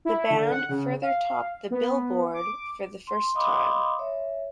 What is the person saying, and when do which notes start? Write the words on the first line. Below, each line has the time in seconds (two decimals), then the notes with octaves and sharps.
The band further topped the "Billboard" for the first time.
0.05 E4
0.31 D3
0.51 F#5
0.69 C#3
1.02 F5
1.71 B3
2.34 D6
3.07 C6
3.35 D#5 F5 B5 C6 D6 D#6
3.99 C#5 E5